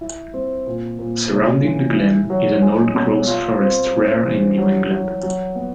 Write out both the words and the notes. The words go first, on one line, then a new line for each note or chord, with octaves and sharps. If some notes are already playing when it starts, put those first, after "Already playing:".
Surrounding the glen is an old growth forest, rare in New England.
E4
C4
A#2
A#2
C#3
E3
E4
F#3
G#3
B2
F4
C4
C#4
E3
F#3
F#3
F#3
B3